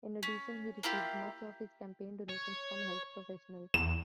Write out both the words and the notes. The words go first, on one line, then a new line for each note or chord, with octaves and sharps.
In addition, he receives much of his campaign donations from health professionals.
C#4
A#3 E4 F4 G4
C#5
E2 E7